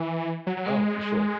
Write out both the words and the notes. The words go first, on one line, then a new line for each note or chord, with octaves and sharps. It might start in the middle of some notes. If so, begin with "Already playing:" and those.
Oh, for sure.
Already playing: E3
F#3
F#3
G#3